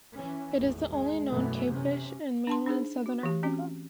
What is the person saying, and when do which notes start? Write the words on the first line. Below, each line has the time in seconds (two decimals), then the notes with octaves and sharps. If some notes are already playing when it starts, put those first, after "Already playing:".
It is the only known cavefish in mainland Southern Africa.
0.16 E3 C#4
0.59 G#1 E2 A2
0.89 G#3
1.29 F#2 B2 E3 F#3 A3 B3
1.70 C3 C#4
2.47 D4 A5 C6
2.66 D4 D#4 G#4 C5
3.06 F#4
3.23 E3 A3 G4
3.43 C4 C#4 F#4